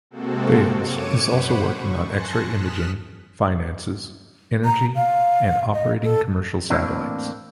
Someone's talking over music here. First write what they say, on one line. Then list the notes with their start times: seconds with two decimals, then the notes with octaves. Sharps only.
Thales is also working on X-ray imaging, finances, energy and operating commercial satellites.
0.10 C3 G#3 A#3 C4 F#4 A4
0.79 F#2 C#5 D6 C#7 D#7 E7
1.21 C5 F#5 B5
1.66 F#2 C#6
2.07 G#5 A5 C6 F#6 A#6 C#7
2.49 D#6 F6 F#6 B6 E7
4.65 A#5
4.96 F5
5.74 D#5
6.03 A4
6.70 A2 E3 A#3 C4 D4